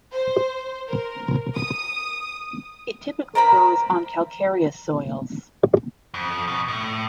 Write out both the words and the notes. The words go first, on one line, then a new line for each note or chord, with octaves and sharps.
It typically grows on calcareous soils.
C5
A#4
D#6
A#4 C5 A#5 B5
F2
B2
A2